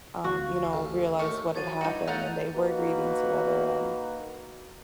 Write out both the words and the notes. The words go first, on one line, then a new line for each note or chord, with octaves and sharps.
um, you know, realized what had happened, and they were grieving together, and,
D2 F#4 F5
A1 A4
D#2 A2 C#6
F3 F#3 G#6 A6 D#7
G2 D#4 E4 F#4
A3 D#4 F4 F5 F#5 F#6 G6 A6
A#3 D#4 F#4 B4